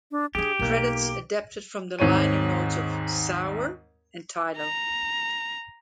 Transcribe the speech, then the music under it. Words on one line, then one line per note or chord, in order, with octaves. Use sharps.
Credits adapted from the liner notes of "Sour" and Tidal.
D4
C#4 D4 G4 G#4
B1 A#3 D#4
D#2 G#2 C4 C#5 D#7
A#5